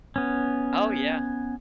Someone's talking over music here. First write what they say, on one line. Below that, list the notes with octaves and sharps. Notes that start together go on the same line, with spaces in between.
Oh, yeah.
B3 C#4